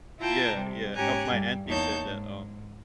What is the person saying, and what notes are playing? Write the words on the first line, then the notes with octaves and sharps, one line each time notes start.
Yeah, yeah, uh, my auntie said that, um
E4 F4 G5 A5 A#5
C3 G3
G#2 C#4 G4 G#5 A#5 F#6
G2 G3
E2 A#3 D#4 C#5 A5 G6
G#2